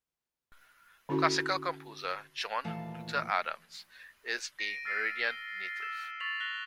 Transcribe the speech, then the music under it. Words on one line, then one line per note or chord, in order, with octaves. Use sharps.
Classical composer John Luther Adams is a Meridian native.
D3 C#4 E4 F#4
D#2 A#2 E3 A3 F5 A5
A#6 D7 D#7
E6 F6 A6 A#6 C7 D#7
C7 G7
E6 E7
C#6 A6 B6 F7 F#7
F#6 A#6 B6 F7 G7